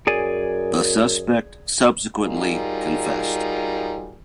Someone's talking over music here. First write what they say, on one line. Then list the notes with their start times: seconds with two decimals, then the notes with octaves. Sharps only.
The suspect subsequently confessed.
0.07 F#2 G#4 D5 G#5
2.21 G3 D#4 F4 F#4 G#4 A#4